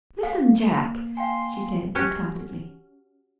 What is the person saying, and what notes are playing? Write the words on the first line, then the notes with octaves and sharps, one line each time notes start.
"Listen, Jack," she said excitedly.
F5
A#3
F5 G5 G#5 C6
C#4 F#4 G4